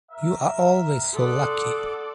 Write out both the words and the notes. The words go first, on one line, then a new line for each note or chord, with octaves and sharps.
You are always so lucky.
A#4 E5
A4 D5 F#5 C6 D#6